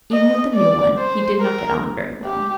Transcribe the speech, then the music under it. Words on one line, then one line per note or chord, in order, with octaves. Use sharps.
Even with the new one he did not get on very well.
D#5
D5
C5
A#4
G4